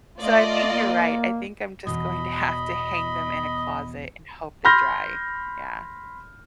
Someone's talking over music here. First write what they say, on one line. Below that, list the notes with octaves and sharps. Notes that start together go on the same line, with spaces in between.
So, I think you're right, I think I'm just going to have to hang them in a closet and hope they dry yeah.
A3 F4 D5 D#5
A#3
E2 G2 B2 D#5 B5
B5 C6 F6 G6 A#6